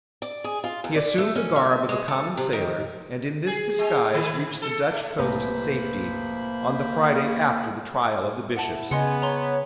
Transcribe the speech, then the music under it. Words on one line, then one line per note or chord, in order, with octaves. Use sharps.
He assumed the garb of a common sailor, and in this disguise reached the Dutch coast in safety, on the Friday after the trial of the Bishops.
D5
G#4
F4
E2
D5
A3
C#4
E5
G#3
A4
C3
D#3
G#4
G#3
D#3
A4
A3
C2 A2 A#3 B4 C5 A#5 B5
E4 F#5 A5 E7
C#3 B3 D#5 G#5 C6 C#7
C#5 A#5 C6